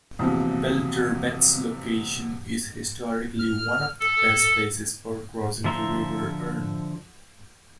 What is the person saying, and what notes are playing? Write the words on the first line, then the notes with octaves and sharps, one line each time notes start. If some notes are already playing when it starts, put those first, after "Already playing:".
Belturbet's location is historically one of the best places for crossing the River Erne.
A#1 E2 C3 F3 F#3
F6
A4
D3 F3 E5 A#5 C6